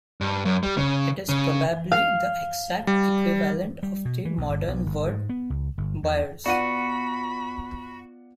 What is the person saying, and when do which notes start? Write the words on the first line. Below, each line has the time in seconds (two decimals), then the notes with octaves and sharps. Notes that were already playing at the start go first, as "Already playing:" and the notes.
It is probably the exact equivalent of the modern word 'byres'.
0.21 G2
0.45 F#2
0.63 G3
0.77 C#3
1.29 C#3
1.92 F5
2.87 G3
3.83 G3
4.05 B2
4.25 E3
4.38 B1
4.49 G1
4.68 B1
4.86 G1
5.06 G#2
5.29 B3
5.50 C#2
5.78 G1
6.03 E2
6.46 B3 F4 F#4 D5 F#5 B5 D#7